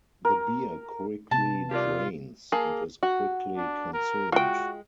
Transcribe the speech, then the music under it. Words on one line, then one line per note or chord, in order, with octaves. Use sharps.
The beer quickly drains, and is quickly consumed.
A#4
C3 B3 A5
F4 G4 A#4 D5
A#3 G#4 A5
F#4
D4
A#4
G#3 F4 F#4 G5